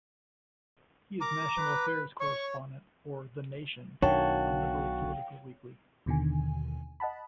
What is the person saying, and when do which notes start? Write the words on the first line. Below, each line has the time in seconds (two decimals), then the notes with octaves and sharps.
He is national affairs correspondent for "The Nation", a liberal political weekly.
1.21 A#4 A#5 D6
1.58 B4
2.20 C#5 C#6
4.03 B1 D#3 D4 F#4 C#5 F5 G5 A5
6.06 D#2 B2 D3 D#3 G#5
7.00 D#5 F#5 A5 B5